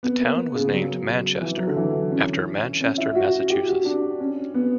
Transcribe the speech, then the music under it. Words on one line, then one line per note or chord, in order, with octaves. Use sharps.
The town was named Manchester after Manchester, Massachusetts.
B3
A#3
C#3
F#3
E3
F#3
D3
E3
C#4
C#4
E4
F#4
G4
F#4
D4
C#4
B3